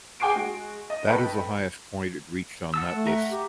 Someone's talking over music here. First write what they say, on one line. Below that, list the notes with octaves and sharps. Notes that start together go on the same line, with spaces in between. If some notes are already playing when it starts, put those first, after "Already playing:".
That is the highest point it reached on that list.
G#4 G5 G#5 D6 C7 D7
G#3 F#4
D#5
A4 B4 D#5 G5 B5
F#5 A5 E6
A3
E5 F#5 A#5
G4